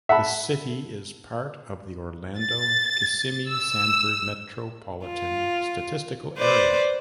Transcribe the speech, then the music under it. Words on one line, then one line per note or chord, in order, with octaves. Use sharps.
The city is part of the Orlando-Kissimmee-Sanford Metropolitan Statistical Area.
E5 F#5 A5 B5
A6
E6
F4
B4 C5 D5